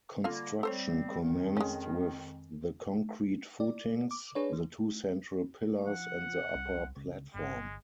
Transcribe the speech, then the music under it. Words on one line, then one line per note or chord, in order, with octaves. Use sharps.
Construction commenced with the concrete footings, the two central pillars and the upper platform.
D3 G3 A#3 F4 A4 F5
G3 C4 A4 C5 C#5
F2 D#3
G#3 C#4
D5
D6
D4 G#4 B4 C#5
E3
F3 F#5
C2
C#2
G1 G#3